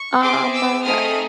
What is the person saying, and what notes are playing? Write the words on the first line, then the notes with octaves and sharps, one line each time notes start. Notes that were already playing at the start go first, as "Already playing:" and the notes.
Um, uh,
Already playing: C#6
C4 E4 G#4 C6 D6
D6 E6
A3 C4 D#4 G#4 D#6 F6